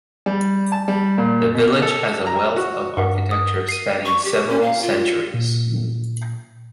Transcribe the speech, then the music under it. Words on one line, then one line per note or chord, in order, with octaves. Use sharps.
The village has a wealth of architecture spanning several centuries.
G3
A5
G3
A#2
B2
A4
A#5
F#4
G2 A#4 F#5
D#6
C7 D#7
C#6
G4
C#4
F5
F4
A#2